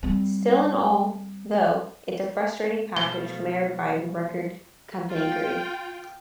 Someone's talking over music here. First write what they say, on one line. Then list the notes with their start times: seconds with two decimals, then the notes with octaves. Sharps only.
Still and all, though, it's a frustrating package marred by record company greed.
0.03 G3 C4
2.97 B2 F3 A3 G7
5.10 F4 G5